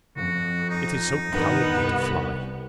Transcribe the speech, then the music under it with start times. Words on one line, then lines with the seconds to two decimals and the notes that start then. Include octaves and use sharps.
"It is so cowardly to fly!"
0.16 F2 F#4
0.70 D#4
1.32 G2 D#3 B3
1.79 C2